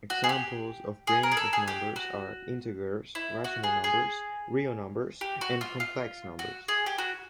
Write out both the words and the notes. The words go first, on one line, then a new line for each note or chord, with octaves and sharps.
Examples of rings of numbers are integers, rational numbers, real numbers, and complex numbers.
F#4
G#4
G4
G#4
A#4
G#4
A4
G#4
G4
F#4
E4
F#4
G#4
G#4
G4
F#4
F4
F4
F#4
G#4
G4
F#4